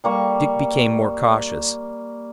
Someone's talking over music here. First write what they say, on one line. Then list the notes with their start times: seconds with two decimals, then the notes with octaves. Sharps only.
Dick became more cautious.
0.04 G3 A#3 C#6